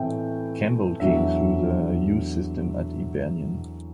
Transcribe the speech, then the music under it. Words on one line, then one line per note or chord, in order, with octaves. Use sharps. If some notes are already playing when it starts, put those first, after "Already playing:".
Campbell came through the youth system at Hibernian.
Already playing: A2 E3 A3 C4 G5
E2 D3 F#3 E5